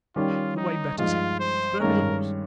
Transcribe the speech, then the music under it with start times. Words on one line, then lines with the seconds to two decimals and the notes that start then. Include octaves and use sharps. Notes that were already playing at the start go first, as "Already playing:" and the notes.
The way betters here; spur me the horse.
0.16 D#3 G3 C#4 F4
0.57 D#4
0.98 G2 F3 G#3 D#4 F4
1.39 C5
1.80 G2 D#3 G#3 C#4 A#4